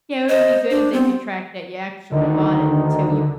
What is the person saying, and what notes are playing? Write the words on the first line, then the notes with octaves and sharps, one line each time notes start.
Yeah, it would be good if they could track that ya actually bought it too, you
C5 D#5
D4 C5
B3 C4
D2 D3 D#3 D#4